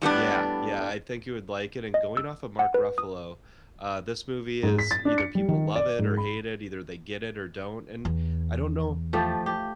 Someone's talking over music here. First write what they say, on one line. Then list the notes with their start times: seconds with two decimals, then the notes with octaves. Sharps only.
Yeah. Yeah, I think you would like it. And going off of Mark Ruffalo, uh, this movie is either people love it or hate it, either they get it or don't, and I don't know
0.02 A2 G3 B3 D4
1.94 D#5
2.17 E6
2.59 F#5
2.74 B4
2.98 D#6
4.63 G#2
4.79 B6
4.91 A6
5.05 D4
5.18 C#7
5.35 G3
5.48 D#3
5.76 D5
5.99 G#2
6.17 B5
8.05 E2
9.13 F3 A3 G4
9.46 G4